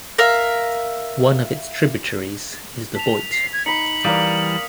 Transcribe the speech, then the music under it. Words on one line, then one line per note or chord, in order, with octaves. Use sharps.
One of its tributaries is the Boite.
A#4 E5 F5
A5 B6 F7
C7
G#6
D#4 B5 B6 C#7 F#7
E3 G3 A#3 A#4 D5 D#6